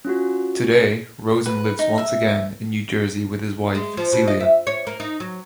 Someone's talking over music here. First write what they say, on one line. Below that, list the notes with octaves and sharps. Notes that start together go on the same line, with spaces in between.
Today, Rosen lives once again in New Jersey with his wife, Celia.
C#4 F4 F#4
B4
D#4
E5
G#3
F3
B2
D#5
E5
C#5
A#3
D#4
F#3